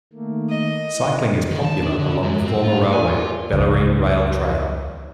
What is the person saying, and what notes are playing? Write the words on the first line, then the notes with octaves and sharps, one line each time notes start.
Cycling is popular along the former railway - Bellarine Rail Trail.
D#3 A3 A#3
D#5
E4
D#3
A5
D4
D3
G#2
C4
F4
A2
G#5
F4
C#2 C#3 F3